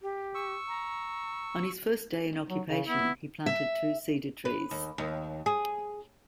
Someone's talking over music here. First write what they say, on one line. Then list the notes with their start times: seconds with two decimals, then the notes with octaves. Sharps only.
On his first day in occupation, he planted two cedar trees.
0.01 G4
0.35 C#6 E6
0.68 A#5
2.50 F#3
2.68 C#3
2.87 B3 E4
3.46 E5
4.45 B4
4.71 D#2
4.98 D#2
5.46 G#4